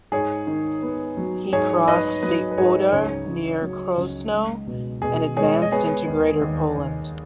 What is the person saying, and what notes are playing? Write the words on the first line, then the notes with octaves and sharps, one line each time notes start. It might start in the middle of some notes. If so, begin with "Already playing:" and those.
He crossed the Oder near Krosno and advanced into Greater Poland.
G#2 G#4 C#5
D#3
B3
F#3
G#2 G#4 C#5
G#2 B4 D#5
F#3 B4
B4
G#2 G#4 C#5
C#2 G#4 C#5
C#2
F#3
C#2
G#3
B2
B2 G#4
G#3 G#4 C#5
D#5
B3 G#4 C#5
D#2
D#2
D#2